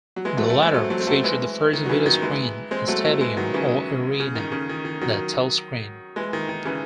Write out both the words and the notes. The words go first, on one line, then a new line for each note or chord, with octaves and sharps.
The latter featured the first videoscreen in a stadium or arena, the Telscreen.
F#3
E3 G#3
F#3 A3
F#3 A3
G#3 C4
F#3 A3
C4
F#3 A3
C4
F#3 A3
E3 G#3
D#3
F#3
C#3 E3
D#3 F#3
E3 G#3
G#3 C4
F#3 A3
F#3 A3
E3 G#3
D#3 F#3
C#3 E3
C#3
D#3
C#3
D#3
D#3
D#3 F#3
E3 G#3
D#3
D#3
C#3 E3